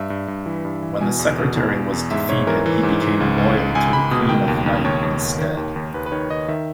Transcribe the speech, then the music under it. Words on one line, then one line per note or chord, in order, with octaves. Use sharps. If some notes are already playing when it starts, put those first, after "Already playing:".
When the secretary was defeated, he became loyal to the Queen of Night instead.
Already playing: G2 E5
G2
G2
E3
G2
E3
B2 G#5
E2
B2
E2
E2
E2
G#2 E5
G#2 C#5
E3 A#4
E3
G#2
G#2
C#2
C#2
C#2
C#2 G#5
C#2 B5
B2 D#6
D#3 G5
D#2
D#2
D#2 C#5
D#2
D#2
D#3
D#2
D#2
D#2 B4
B4
D#3 C#5
D#3 D#5
D#3 E5